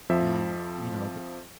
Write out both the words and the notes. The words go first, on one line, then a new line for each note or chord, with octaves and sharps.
And, you know, the
F2 F3 E5